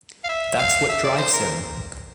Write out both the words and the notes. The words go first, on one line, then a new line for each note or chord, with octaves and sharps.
That's what drives him.
F5
E5
F5
E5
D5
C5
A#4